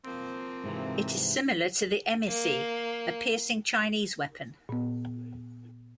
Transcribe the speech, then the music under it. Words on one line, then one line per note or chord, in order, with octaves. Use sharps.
It is similar to the emeici, a piercing Chinese weapon.
F3 A#3 C4
G#2 C3 E3
A#3
A#2 B3